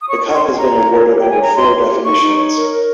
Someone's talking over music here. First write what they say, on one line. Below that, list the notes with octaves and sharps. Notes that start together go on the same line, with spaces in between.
The Cup has been awarded under four definitions.
D#6
C#5 C#6
C#5
C6
C#5
G#5
C#5 A#5
C#5
C#5
G4
C#5 G5
G#5
C#5 A#5
C#5 C6
G4
G4
D#4 C#6
D#4
C#5
A#4
A#4